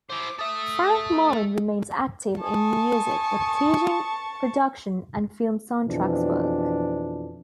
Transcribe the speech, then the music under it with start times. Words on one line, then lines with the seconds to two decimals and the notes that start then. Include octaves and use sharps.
Frank Morin remains active in music, with teaching, production, and film soundtracks work.
0.10 E4 C5 D6
0.39 A4 E5 D#6
2.41 G#5 A5 C#6 D#6
5.87 F2 B2 E3 D4